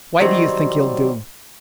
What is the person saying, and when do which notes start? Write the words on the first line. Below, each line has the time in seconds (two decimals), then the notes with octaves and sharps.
"Why do you think he'll do?"
0.20 D#3 F#3 G3 C4